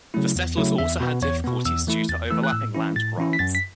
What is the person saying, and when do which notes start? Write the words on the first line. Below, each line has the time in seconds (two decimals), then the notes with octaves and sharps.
The settlers also had difficulties due to overlapping land grants.
0.14 C#3 F#3 A3 E4
0.36 E2
0.57 C#3 F#3 A3 E4
0.78 E2 E5
1.00 B2 B3
1.22 E2 C#5
1.44 B2 B3
1.65 E2 E6
1.87 E3 A3 E4
2.09 E2 A6
2.30 E3 A3 E4 E6
2.43 F#6
2.52 A2 E6
2.74 E3 C#4 E4
2.96 A2 A6
3.18 E3 C#4 E4
3.33 B6
3.39 F#2 A6
3.55 B6